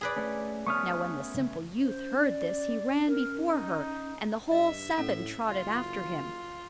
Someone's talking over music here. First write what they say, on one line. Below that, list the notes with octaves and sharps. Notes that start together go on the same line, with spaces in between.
Now, when the simple youth heard this, he ran before her, and the whole seven trotted after him.
G#4 B4 D5
A3 C#4
A3 B3 C#4 C#6 D#6 F6
C#4 C5
D5
C#4
C#4 A#4
D#4
G2 D#5 E5
A2 C#4 A4 F#5
F#1 F4